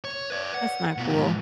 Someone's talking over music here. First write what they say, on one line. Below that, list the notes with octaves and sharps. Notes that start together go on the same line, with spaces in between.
That's not cool.
C#5
B4 D5
F#5
B2 F4
G#2 F3